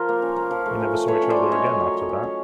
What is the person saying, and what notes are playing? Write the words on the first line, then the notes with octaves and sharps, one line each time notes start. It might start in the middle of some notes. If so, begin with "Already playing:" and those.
We never saw each other again after that.
Already playing: F3 F4 A#4 C5
A#3
C#4
A#3
F3
A3
C#4
A3
A3 B4 C#5
C#4
C5 D5
F#3
C#4 C#5 D#5
C#4
F#3
F#3
C#4
C#4